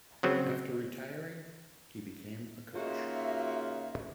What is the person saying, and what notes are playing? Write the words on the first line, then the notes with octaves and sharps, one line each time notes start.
After retiring, he became a coach.
C#3 F#3 C4
C#3 A#3 D#4 F4 F#4 E5